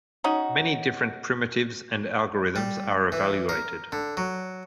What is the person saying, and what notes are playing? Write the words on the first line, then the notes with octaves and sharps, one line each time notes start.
Many different primitives and algorithms are evaluated.
C#4 D#4 F#4
G3
E3
A#4
D3
F#3